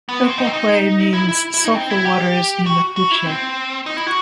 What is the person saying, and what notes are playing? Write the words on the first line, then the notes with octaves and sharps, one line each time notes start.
"Copahue" means "sulphur waters" in Mapuche.
B3
C4
D#4
C4
D#4
E4
E4
E4
D#4
C4
E4
G4
F#4
F#4
E4
C4
D#4
E4
F#4